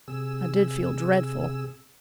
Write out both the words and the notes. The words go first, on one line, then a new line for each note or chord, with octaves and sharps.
I did feel dreadful.
C3 G#4 E6